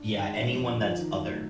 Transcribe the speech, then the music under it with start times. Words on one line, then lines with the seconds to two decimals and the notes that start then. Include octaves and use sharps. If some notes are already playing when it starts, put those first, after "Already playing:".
Yeah, anyone that's other.
Already playing: D4
0.09 D#3
0.24 G#3
0.39 C#4
0.54 F2
0.68 D3
0.83 F3
0.99 D#3
1.13 F#3
1.28 A3